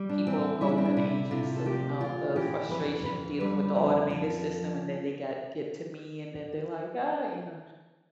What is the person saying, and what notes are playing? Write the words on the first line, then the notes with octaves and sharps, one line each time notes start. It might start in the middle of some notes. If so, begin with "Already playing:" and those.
People of golden ages, so, you know, the frustration dealing with the automated system and then they got get to me and then they're, like, "Ah," you know,
Already playing: G3
D4
E3 C4
G3 E4
D4
C4
D4
C3 E4
C3 F4
A4
D2 G4
E3 F4
E3 G4
F2 B4
F2 B4
G3 B4
F2
F3